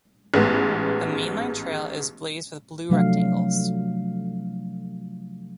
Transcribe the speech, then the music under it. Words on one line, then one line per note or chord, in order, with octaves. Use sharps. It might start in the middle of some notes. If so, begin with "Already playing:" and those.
The mainline trail is blazed with blue rectangles.
A1 G#2 B3
C3 F3 F#3 A3 D4 F5